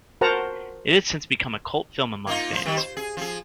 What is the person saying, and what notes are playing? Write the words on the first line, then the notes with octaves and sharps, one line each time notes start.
It has since become a cult film among fans.
F#4 A#4 C5 F#5 A5 A#5
A#3 D#4 F4
F3 C5
D#3 G3
C5
G#4
F3 G#4